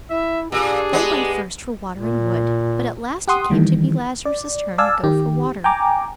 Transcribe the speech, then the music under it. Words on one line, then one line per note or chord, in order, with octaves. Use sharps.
They went first for water and wood, but at last it came to be Lazarus's turn to go for water.
E4 E5
A#2 D4 G4 G#4
G#3 B3
A#2
G4 F#5 C6 D#6
D#3 E3 G3
D5
D5 F5 G#5 A5 E6
D#3 G4
G5 G#5 A#5 D6